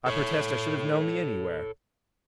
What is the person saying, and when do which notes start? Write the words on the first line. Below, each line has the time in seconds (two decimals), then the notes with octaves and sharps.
I protest I should have known thee anywhere.
0.06 A4 C#5